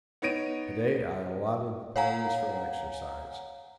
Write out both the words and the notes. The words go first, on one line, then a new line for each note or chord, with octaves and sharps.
To-day I allotted the ponies for exercise.
B3 D#4 C#5 A#6 D7 D#7
C#5 F5 F#5 G#5 A#5